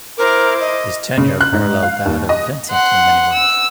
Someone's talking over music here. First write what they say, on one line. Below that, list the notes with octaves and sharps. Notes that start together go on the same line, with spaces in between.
His tenure paralleled that of Vincent in many ways.
E4 A#4 C5 D6
D#5
C#3
F#6
G#2
F5
D#2
D#5
F#5 C6
E6